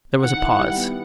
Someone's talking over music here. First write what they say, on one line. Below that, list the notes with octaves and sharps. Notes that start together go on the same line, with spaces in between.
There was a pause.
D#3 F#5
E4
G3
B3